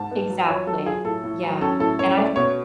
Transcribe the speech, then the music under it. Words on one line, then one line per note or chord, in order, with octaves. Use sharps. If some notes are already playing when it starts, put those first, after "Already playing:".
Exactly, yeah. And I've
Already playing: G#2 A5
B3
F#3
F4 C#5
F#3 A4
F4 G#4
A2 A4
A2
F#3
C#4 A4
A2 A4
C#4 C#5
A3 D5
B2 C#5